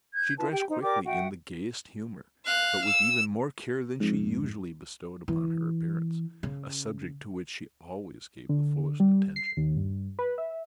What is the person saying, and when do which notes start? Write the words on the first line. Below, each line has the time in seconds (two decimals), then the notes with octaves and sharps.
She dressed quickly, in the gayest humour, but with even more care than she usually bestowed upon her appearance; a subject to which she always gave the fullest attention.
0.15 G6 G#6
0.39 E4 F4 B4 A5
0.51 G4 G5
0.69 D#4 C5
0.83 G4 A#4 D5 D6
1.06 F#4 E5 F#5 G5
2.45 F5 F#6
2.86 E6
4.00 F2 G#2
5.28 E3
6.43 C#3
8.49 D3
9.00 G3
9.36 C7
9.57 D#2
9.77 G2
10.19 B4
10.38 E5